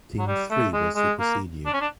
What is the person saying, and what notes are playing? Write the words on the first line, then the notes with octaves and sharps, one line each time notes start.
Team three will supersede you.
F#3
G3
A3
G#3
G#3
A#3
D4
C#4
D4